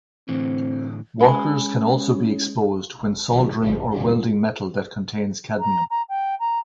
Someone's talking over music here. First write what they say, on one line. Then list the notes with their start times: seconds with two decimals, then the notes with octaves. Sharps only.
Workers can also be exposed when soldering or welding metal that contains cadmium.
0.29 A2 D3 E3 C4
1.21 G#3 C#4 G#5 B5
5.59 A#5
5.90 A#5
6.09 G5
6.39 A#5